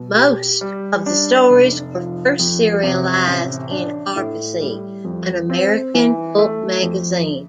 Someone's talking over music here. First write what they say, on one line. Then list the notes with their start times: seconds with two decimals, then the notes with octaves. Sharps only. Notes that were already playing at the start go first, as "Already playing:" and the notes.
Most of the stories were first serialized in "Argosy", an American pulp magazine.
Already playing: B2
0.16 G4
0.61 G3
1.06 D4
1.50 F1
1.94 F3
2.39 F2
2.83 C3
3.27 A1
3.71 D4
4.16 A2
4.61 G3
5.05 F2
5.50 C4
5.94 E3
6.38 A3
6.83 F2